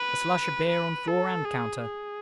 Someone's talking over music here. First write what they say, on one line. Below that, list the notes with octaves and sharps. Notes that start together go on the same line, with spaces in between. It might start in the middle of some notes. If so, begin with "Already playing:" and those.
A slush of beer on floor and counter.
Already playing: B4
B4
A4
G#4
G#4